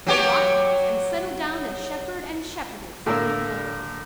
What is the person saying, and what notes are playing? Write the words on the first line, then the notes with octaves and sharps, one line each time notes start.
They bought these and settled down as shepherd and shepherdess in the forest.
F#3 G4 C#5
A2 D3 A#3 A#4 E6